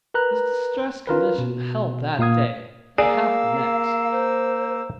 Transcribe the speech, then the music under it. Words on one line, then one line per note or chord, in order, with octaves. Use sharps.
This distressed condition held that day, and half the next.
A#4 B4 A#5 F#6
C#4 F4 A#4 B4
B2
A#2 A#3 F5 D#6 G#6
A#3 G#4 D5 F5 E6
C5